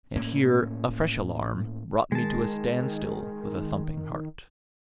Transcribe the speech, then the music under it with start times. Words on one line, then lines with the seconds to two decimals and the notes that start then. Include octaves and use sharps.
And here a fresh alarm brought me to a standstill with a thumping heart.
0.16 A2 A#3 C#4
2.12 D#3 G#3 A5